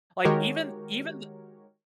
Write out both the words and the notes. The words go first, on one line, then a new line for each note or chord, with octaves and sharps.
like even, even th
D#3 G#3 F#4 G4 A#4 C#5